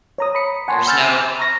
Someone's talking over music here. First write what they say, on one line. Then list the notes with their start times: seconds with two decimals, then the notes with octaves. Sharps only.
There's no
0.18 C#5 A#5 D#6
0.35 B5 C#7
0.68 F#5 G#5 A5 C6 C#6
0.86 G#5 B5 E6 F6 G6 A6
1.39 A#5 C#6 A#6